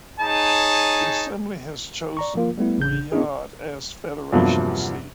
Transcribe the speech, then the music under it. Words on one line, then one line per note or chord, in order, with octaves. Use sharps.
The assembly has chosen Riyadh as federation seat.
D#4 G#4 C#5 A5
D5 A#5 C#6
F3 A#3 F4
G3 A3 B3 E4
A1 C#3 G6
B3 C#4 D4 E4 G#4
E2 G2 C3 F3 F#3 A#3